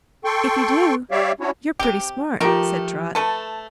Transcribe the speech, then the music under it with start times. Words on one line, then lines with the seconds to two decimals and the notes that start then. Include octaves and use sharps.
"If you do you're pretty smart," said Trot.
0.25 A4 G5 C6 C#6
1.11 G3 G4 C#5 D5 E5 F5
1.40 C#4 D4 E4 F#4 C#5
1.79 C3 G4
2.40 D#3 F3 A3 G4 A#4
3.15 A3 A4 B4 A5